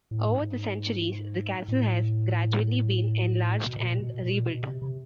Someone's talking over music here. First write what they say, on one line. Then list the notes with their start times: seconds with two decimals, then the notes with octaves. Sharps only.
Over the centuries, the castle has gradually been enlarged and rebuilt.
0.11 A2
0.29 G#2
1.68 A2
3.66 B2
3.77 A#2
4.00 B2
4.23 A#2
4.46 B2
4.63 C3
4.82 C3